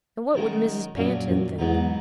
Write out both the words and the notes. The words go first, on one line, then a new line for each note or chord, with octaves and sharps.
And what would Mrs. Pantin think?
F#2 D#3 G#3 D#4
A#1 F#2 A#2 F#3 C#4
F#2
E2 G#2 F#3 B3 D#4